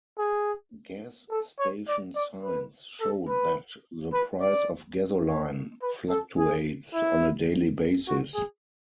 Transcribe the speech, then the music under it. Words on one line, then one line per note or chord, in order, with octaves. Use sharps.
Gas station signs show that the price of gasoline fluctuates on a daily basis.
G#4
A4
C#5
D5
D5
B4
A4
B4
B4
D5
C#5
B4
A4
G#4
E4
F#4
G#4